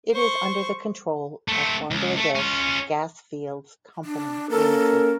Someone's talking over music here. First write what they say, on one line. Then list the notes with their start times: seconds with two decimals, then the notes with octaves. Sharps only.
It is under the control of Bangladesh Gas Fields Company Limited.
0.13 C5 C#6
1.48 A3 C4
1.91 C#2
2.17 A3
2.35 C#4 F4
4.05 D4
4.50 A#3 C#4 A4 A#4